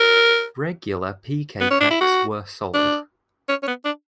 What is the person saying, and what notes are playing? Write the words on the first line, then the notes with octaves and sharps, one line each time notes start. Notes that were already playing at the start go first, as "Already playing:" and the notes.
Regular piquet-packs were sold.
Already playing: A#4
B3
C#4
D4
E4
F#4
D4
C#4
C#4
B3
D4